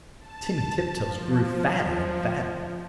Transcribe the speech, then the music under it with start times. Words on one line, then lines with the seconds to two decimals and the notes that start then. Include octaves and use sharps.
Timmy Tiptoes grew fatter and fatter!
0.20 A5
0.95 F3